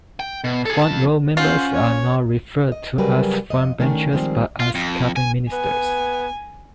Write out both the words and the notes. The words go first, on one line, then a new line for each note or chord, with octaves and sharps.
Front row members are not referred to as frontbenchers, but as cabinet ministers.
G5
B2
G#4 A4
F2 A5
C#4 F4 C5 F#5
C#5
D#5
C#3 F#3 G3 G#4 A#4 B4
F2 D#5
D#3 A3 C#4 D4
D#3 F3 G3 G#3 A#3 C4
F4
F2
G#5
B3 G#5